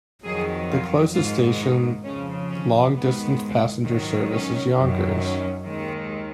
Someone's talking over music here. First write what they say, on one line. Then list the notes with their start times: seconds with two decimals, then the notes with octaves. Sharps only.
The closest station long distance passenger service is Yonkers.
0.25 F2 D#3 F#3 G#4
0.70 F4
1.14 G#2 D#3 G#3 F4
1.60 D#4
2.04 F2 C#3 F3 C#4
2.49 C#4
2.94 G#2 D#3 G#3 B3
3.84 G#2 D#3 F#3
4.29 C#4
4.75 F#2 D#3 F#3
5.19 C#4
5.65 D#2 D#3 G#3